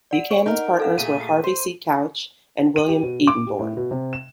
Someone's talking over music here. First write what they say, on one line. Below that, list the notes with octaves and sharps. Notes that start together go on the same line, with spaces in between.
Buchanan's partners were Harvey C. Couch and William Edenborn.
D5 F#5 D7
C#5
D#4 A#4
A4 F5 F#5
A#2 A3 G#4 D#7
C5
D#7
G4
B2
D6
G4
A2
B2
C3
E7